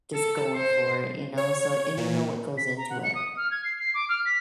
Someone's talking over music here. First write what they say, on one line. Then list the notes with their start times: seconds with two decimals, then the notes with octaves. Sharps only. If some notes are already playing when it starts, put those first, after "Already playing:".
just going for it, you know? So and you know what goes into it.
0.14 A4
0.55 C5
1.37 C#5
1.97 A#2
2.57 B6
2.77 A#5
2.89 F#5
3.03 C#7
3.14 D#6
3.36 F6
3.51 G#6
3.64 C7
3.78 C7
3.94 D6
4.08 F6
4.25 B6